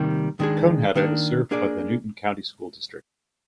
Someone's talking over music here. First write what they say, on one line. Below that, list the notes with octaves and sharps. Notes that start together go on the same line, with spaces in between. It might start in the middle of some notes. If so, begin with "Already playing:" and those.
Conehatta is served by the Newton County School District.
Already playing: C3 D#3 G3 A#3
D#3 G#3 D4 G#4
D#3 A#3 D4
A#3 D4 G#4 D5